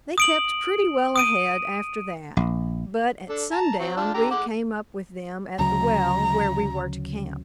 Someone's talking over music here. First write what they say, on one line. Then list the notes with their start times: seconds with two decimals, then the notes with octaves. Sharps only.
They kept pretty well ahead after that, but at sundown we came up with them at the well where we were to camp.
0.18 D#6 D7 F#7
1.16 D#6 D7 D#7
2.37 A#1
3.29 D4 A4
3.52 A5 A#5
3.79 F#3 C4
3.97 F3 D4 A5
4.14 D3 G4 A#5
4.31 G#3 F#5 D6
5.59 D2 C#3 F#3 A#5